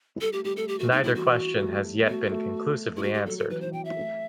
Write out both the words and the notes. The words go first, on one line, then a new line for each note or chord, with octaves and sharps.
Neither question has yet been conclusively answered.
G3 A4
A3 G4
G3 G4
A3 A4
G4
A3 F#4
B3 D#4
G3 E4
E3 F#4
A3
G3
B3
A3 F#4
A3
A3 E4
G3 F#4
G4
F#3 A4
A4
E3 B4
E3 C5
F#3 G5
E5
A3